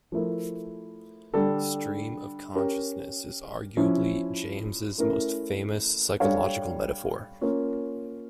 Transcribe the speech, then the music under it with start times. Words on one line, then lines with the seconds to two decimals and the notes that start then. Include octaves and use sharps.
Stream of consciousness is arguably James' most famous psychological metaphor.
0.12 F3 A3 E4 A#4
1.34 D3 G3 D4 A4
2.55 C#4 G4 A#4 C#5
3.77 F3 C#4 E4
4.98 A3 C#4 E4 A#4
6.20 G3 D4 A4 C#5 F5
7.41 A#3 C#4 F4 C#5